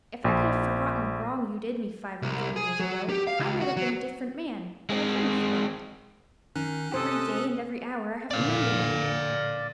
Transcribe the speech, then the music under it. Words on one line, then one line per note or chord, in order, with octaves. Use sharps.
If I could have forgotten the wrong you did me five-and-thirty years ago, I might have been a different man: but I couldn't forget it. Every day and every hour I have remembered it.
A#1
C2
G#4
F#3
G4
F5
C#2
F#4
F#3
G#3 C4
D#3 C#4 F#6
C3 A4 C5 D#5
F1 A#2 D3 D5 F5